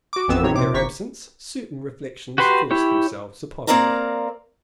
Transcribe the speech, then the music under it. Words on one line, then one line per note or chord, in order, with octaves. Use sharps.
During their absence certain reflections forced themselves upon me.
F#4 D6
A1 F2 B3 C4 E6
A2 C4 D#4 C#5
C3 D6
G1 A#5 C#6 B6
F#4 G4 B4 C6
E4 G4 C#5
A#3 C4 A#4 D5 F5 A#5